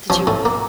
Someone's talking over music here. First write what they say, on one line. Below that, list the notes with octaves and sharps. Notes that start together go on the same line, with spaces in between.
Did you
F3 C#4
A2 C#4
A#3